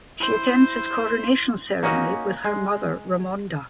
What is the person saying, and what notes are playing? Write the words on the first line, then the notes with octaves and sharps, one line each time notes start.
She attends his coronation ceremony with her mother Ramonda.
E4 C5
A#3 C#4 D#4 F#4
G#3